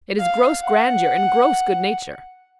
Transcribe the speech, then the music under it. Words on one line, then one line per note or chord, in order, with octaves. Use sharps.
It is gross grandeur and gross good-nature.
F5
F#5